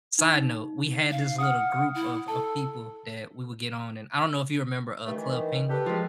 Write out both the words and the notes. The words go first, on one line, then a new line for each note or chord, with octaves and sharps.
side note, we had this little group of of people that we would get on and I don't know if you remember, uh, Club Penguin?
D#4
F5
F#5 D#6 F6
E4
A4 A5
G2 D#3 A3
D#3 E3
G4 A4 B4
F3 G#3